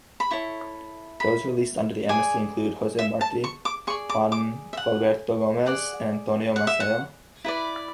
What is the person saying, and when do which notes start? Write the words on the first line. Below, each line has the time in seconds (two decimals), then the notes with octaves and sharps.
Those released under the amnesty included Jose Marti, Juan Gualberto Gomez, and Antonio Maceo.
0.20 B5
0.31 E4 A4 C#5 C#6
1.20 B5
2.09 G#4 D5 G#5
2.99 E5
3.21 A5
3.44 C#6
3.65 D6
3.87 G#4 D5 C#6
4.09 D6
4.32 D6
4.73 E5
4.77 F#5
5.66 G#4 D5 F#5
6.56 F#5
6.67 E5
6.80 F#5
7.44 E4 B4 D5